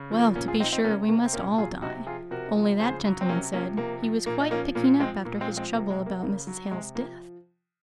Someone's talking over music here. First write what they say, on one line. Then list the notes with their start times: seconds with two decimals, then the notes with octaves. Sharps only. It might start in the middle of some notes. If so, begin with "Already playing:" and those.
Well, to be sure, we must all die; only that gentleman said, he was quite picking up after his trouble about Mrs. Hale's death.'
Already playing: C#3
0.11 F3
0.19 A#3
0.36 A#2 A#3 C#4
0.48 F4 G#4
0.60 F3 C4 D#4
0.72 C4 D#4
0.84 C3 A#3 C#4
1.08 C3 A#3
1.25 C4
1.33 A#2 A#3 C#4
1.58 F#3 F4 G#4
1.82 C3 D#4 F#4
2.07 F3 F4 G#4
2.31 C3 F#4 A#4
2.55 F3
2.80 C#3 G#4 C5
3.05 F#3
3.21 C4
3.29 C3 A#3 C#4
3.53 F3 A#3 C#4
3.77 C3 A#3
4.02 F3
4.26 A#2 A#3
4.41 D#4
4.51 F3 A#3 C#4
4.75 A#2 A#3 C#4
5.00 F3 G#3 C4
5.25 A#2 A#3
5.41 G#3 C4
5.50 F3
5.57 G#3 C4
5.73 C3 A#3
5.90 G#3
5.98 C3
6.06 A#3
6.22 C#3 A#3
6.47 F#3
6.71 C3 G#3
6.95 F3 A#3